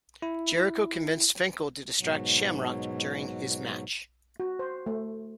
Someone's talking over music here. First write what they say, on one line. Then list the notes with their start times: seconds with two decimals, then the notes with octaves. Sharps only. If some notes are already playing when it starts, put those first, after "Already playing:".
Jericho convinced Finkel to distract Shamrock during his match.
0.22 E4
1.99 G#2 B2 F#3
4.40 F#4
4.59 C5
4.86 A3